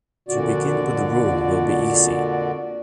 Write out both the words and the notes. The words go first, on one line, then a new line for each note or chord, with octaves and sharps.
To begin with the rule will be easy.
F2 A#2 D3 F#4 D5